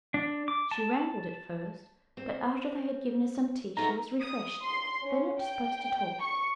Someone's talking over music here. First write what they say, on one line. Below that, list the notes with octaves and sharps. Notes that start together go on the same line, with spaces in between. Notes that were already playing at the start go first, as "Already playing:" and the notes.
She rambled at first; but after they had given her some tea she was refreshed, though not disposed to talk.
D4
D6
A5
C4
A3 B3 D#4 A#5
D#6
C6
C#4
G5
C#6